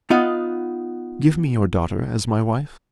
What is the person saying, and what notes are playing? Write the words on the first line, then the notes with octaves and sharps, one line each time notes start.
Give me your daughter as my wife.'
B3 D#4 F4 F#5